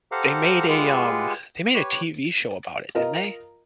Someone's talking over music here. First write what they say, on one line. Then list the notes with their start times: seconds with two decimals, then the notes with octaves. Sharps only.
they made a, um, they made a TV show about it, didn't they?
0.12 G4 A4 C5 F5 F#5 A#5
0.68 G#3 F4 G4 G#4 B4 F#5
1.74 G4 B4 C#5
2.95 F4 A#4 D#5